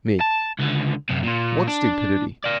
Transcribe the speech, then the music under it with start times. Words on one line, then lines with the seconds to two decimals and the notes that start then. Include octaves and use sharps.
ME: What stupidity?
0.21 A5
0.59 C#2 D3
1.09 F#2 C3
1.23 A#2 F4
1.68 D4
2.44 D5 F5